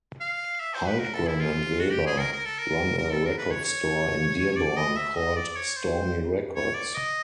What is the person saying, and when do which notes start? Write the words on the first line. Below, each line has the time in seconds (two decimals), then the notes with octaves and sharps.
Hultgren and Weber run a record store in Dearborn, called Stormy Records.
0.21 F5
0.61 E5
0.74 C5
0.88 B4
1.00 A#4
1.13 A4
1.27 E4
1.40 F4
1.80 F#4
1.93 G4
2.06 G#4
2.20 A#4
2.32 A#4
2.45 A4
2.58 A#4
2.98 A#4
3.12 A4
3.25 A#4
3.38 B4
3.51 C#5
3.65 C#5
4.57 D5
4.76 D#5
4.96 E5
5.17 D#5
5.36 D5
5.56 C#5
5.76 C5
6.55 C#5
6.74 D5
6.94 D#5